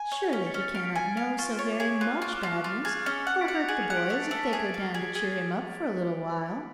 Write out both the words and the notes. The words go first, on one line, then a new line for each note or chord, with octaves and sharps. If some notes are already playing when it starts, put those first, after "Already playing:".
"Surely he cannot know so very much badness or hurt the boys if they go down to cheer him up for a little while."
Already playing: G#5
C#5
C#4 B6
A6 C#7
C#4
A6 C#7
F5 B6 D7
B6 D7
G#5
A6 C#7
F5 B6
F4 C#6
C#5 C#6
D6
G#4
D6
F4 F#6
F6
F4 C#6
D6
F4 F#6
F#6
F4
A6
G#4 A6
C#4 A6 C#7
F#5
B6 D7
F#5
C#7 F7
G#4 D7 F#7
C#7 F7
F#5
B6 D7
A3
A6 C#7
A3
B6
G#4
F5
G#4 A6
A6
G#4
A6